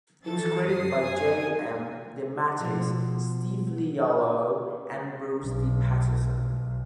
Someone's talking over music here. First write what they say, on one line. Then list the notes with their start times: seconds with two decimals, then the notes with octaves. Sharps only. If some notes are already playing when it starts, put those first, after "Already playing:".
He was created by J. M. DeMatteis, Steve Leialoha, and Bruce D. Patterson.
0.23 E3 A4 A6
0.67 F#2 D#6 C7
1.00 G#5
2.60 B2 F3
5.43 B1
6.37 B1